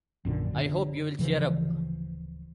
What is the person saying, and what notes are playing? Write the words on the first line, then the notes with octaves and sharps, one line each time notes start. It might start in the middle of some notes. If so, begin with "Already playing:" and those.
I hope you'll cheer up.
A#1 F#2 A#2 D3
D3
D1 C#3 E3 F3